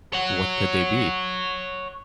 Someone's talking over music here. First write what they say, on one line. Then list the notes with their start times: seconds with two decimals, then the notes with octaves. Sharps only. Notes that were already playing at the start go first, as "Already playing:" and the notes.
What could they be?
0.13 C#5 F#5